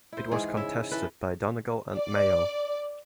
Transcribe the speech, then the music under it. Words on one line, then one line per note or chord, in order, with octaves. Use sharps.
It was contested by Donegal and Mayo.
E4 C5
G#2 E3 F4 G#4
C#3 E4 E5
E3 A4 B4
D5